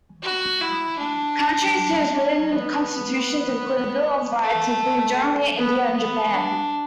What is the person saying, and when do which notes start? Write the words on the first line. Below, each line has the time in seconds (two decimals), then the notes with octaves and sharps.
Countries whose written constitutions include a bill of rights include Germany, India and Japan.
0.23 F#4
0.62 E4
0.99 D4
2.14 C#4
2.52 B3
4.43 A3
5.57 B3
5.97 B3
6.34 D4